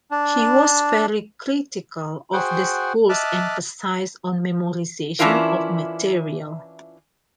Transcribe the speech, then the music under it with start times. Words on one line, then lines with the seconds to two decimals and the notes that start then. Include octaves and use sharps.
He was very critical of the school's emphasis on memorization of material.
0.11 D4
2.33 F#4 G#4 C5 F#5 G5
3.09 D#5 E5 A5 D6 F6 F#6
5.19 E3 C#4 D4 E4 F4 A#4